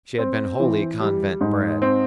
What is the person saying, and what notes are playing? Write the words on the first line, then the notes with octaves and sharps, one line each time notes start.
She had been wholly convent-bred.
C4
E3
G3
G#2
C4